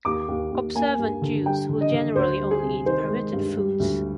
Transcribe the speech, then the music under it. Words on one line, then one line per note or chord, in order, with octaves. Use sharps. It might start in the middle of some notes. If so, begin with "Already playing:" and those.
Observant Jews will generally only eat permitted foods.
D#2 D6
D#2
D#2
A#3 G#5
G2
D3
G3 G5
D3
D#5
D3
D2 C5
G3
G#4
C3
D#3 C5
G#3
G2
G3
D2